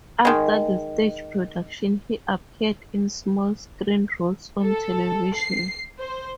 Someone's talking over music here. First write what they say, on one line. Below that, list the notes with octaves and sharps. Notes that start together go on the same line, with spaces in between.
After the stage production, he appeared in small screen roles on television.
D#3 G#3
A4
C7
C5